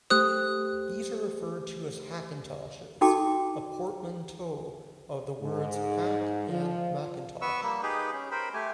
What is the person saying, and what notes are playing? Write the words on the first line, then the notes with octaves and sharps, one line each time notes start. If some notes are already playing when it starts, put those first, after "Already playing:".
These are referred to as Hackintoshes, a portmanteau of the words "hack" and "Macintosh".
A3 G4 C5 D#6 F#6
D#4 F#4 A4 G5 A5 D6
G#2
F3
B3 B4 C#6 E6
G3 A#3
D#4 G4 G#4 B4
C#4
A#4 C5 G5 B5
A3 G4 G#5